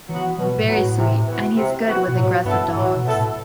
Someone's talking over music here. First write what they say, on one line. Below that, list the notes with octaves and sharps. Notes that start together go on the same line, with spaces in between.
Very sweet and he’s good with aggressive dogs.
E3 F#3 B3 F#4
B2 F#3
A2
F#3 B3 F#4
A2
C3
E3 B3 F#4
C3
E3 B3 F#4
B2
A2 F#3
G2 B3 E4 A4
A2 F#3
B2
B3 E4 A4
A2